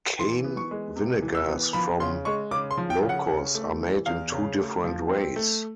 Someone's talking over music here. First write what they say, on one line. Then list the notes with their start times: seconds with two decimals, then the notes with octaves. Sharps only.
Cane vinegars from Ilocos are made in two different ways.
0.19 E3 C6
0.44 B3
0.57 C#6
0.71 G#3
0.96 C3
1.22 E3
1.35 E6
1.48 B3
1.73 F3 B5
2.00 C#3 C6
2.25 G#3 C#6
2.51 C#3 D6
2.71 C6
2.77 F3
2.90 G5
3.02 C#3
3.09 F#5
3.28 C#3
3.55 A3
3.81 E3
4.06 E2 F5
4.32 C#3
4.58 A3
4.84 F3
5.10 C4
5.36 A3